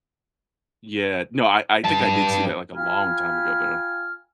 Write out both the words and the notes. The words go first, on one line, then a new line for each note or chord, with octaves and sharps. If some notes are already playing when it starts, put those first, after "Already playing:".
Yeah. No, I I think I did see that, like, a long time ago, though.
G2 A5
F4 G5 G#5 B5 F6